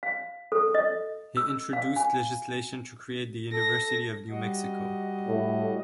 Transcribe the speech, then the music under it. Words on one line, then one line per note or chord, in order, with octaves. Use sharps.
He introduced legislation to create the University of New Mexico.
F5
A4
D#5
E6
F5
G#5
A4 A#6
G3 F#4 D#5
A2